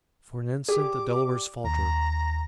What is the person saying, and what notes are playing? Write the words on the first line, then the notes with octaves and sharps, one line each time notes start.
For an instant the Delawares faltered.
G4 G#4 D5 D6
D#2 A#5